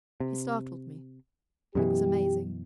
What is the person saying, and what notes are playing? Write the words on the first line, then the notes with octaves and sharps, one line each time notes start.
He startled me. It was amazing.
C3
F#2 B2 E3 G4